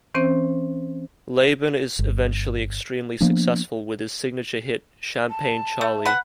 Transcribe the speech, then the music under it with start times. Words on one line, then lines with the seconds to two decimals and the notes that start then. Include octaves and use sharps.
Leybourne is eventually extremely successful with his signature hit: "Champagne Charlie".
0.15 E3 C4 C#4 C5
1.99 G1
3.21 F3 A#3 B3 D4
5.30 A5
5.81 A3
6.05 B4 F#5